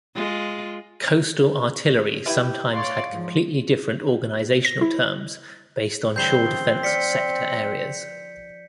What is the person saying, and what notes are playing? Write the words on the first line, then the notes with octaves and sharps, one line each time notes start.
Coastal artillery sometimes had completely different organizational terms based on shore defence sector areas.
G#3 F4
E4 G4 B4 E5
C#5 D5 F5 C6
G#2 F3
A#6
E4
G2 D3 E3 C4 G6 C7 G7
D#3 F3 C#4
D5 F6 B6 C#7